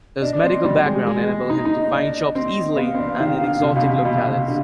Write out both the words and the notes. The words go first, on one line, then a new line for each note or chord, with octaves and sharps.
His medical background enabled him to find jobs easily and in exotic locales.
D4 D#5
D4 D5
C4 D#5
G3
G#3
G#3
D#4
D#4
D4
C4
B3 F5
C4
D4
D#3
D3
C3
B2
C3
B2
C3
D3